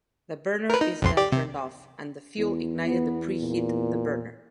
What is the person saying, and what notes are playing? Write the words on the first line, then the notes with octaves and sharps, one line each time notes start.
The burner is then turned off, and the fuel ignited to preheat the burner.
A#4 B4
D#4
B1 F2 C6
G4 D5
C3
E2
B3
A#2